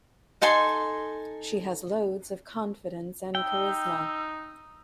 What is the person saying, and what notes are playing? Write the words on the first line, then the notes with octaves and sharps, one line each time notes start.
She has loads of confidence and charisma.
D#4 A4 G#5 C6
D#4 G5 E6